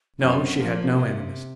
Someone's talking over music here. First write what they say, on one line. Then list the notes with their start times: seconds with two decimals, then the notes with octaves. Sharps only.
No, she had no enemies.
0.19 F#2 C#4
0.39 C4
0.58 F3 A#3
0.96 C3
1.26 A#3
1.34 C4